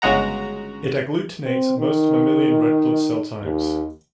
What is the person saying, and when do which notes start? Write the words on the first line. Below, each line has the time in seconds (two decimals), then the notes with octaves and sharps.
It agglutinates most mammalian red blood cell types.
0.02 G1 C#3 G#3 F#4 A#5
1.44 C4
1.78 D#3
3.43 D#2